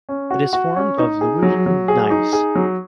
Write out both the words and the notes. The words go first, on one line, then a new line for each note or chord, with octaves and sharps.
It is formed of Lewisian gneiss.
C#4
F#4
F#4
C#4
D#4
G#4
F#3
F#3
G#4
D#4
G#4
F#3